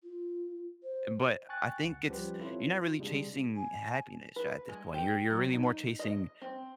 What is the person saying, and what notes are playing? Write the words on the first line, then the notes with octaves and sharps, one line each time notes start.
But I think it's you're not really chasing happiness right at this point. You're you're really more chasing,
F4
C5
G5 G#5 C#6 F#6 A6
C#2 F#5
F3 G3 C#4 G4 B4
C4 E4 F4 A4 B4 C#5
F4
C3 G3 G#3 D4
G#5
B4
G#3
G4
F#3
D#4
D#5
C4